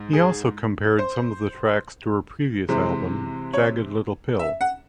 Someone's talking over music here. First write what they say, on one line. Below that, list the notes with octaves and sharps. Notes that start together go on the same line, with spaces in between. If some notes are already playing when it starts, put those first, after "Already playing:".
He also compared some of the tracks to her previous album, "Jagged Little Pill".
Already playing: G#2
G#4
C5
C3 E3 G#3 C4
C#5
E5
F#5